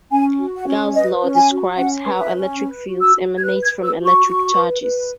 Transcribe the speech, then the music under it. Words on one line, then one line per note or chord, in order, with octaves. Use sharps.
Gauss's law describes how electric fields emanate from electric charges.
C#4 G#5
F#4
F#5
C#4
B4 D#5
C#4
G#5
F#4
C#4 F#5
B4
E5
C#4
B4
F#4
E6
F#4
G#6
B4 F#6
G#6
B4
E6
F#4
C#6
F#4
B4
B4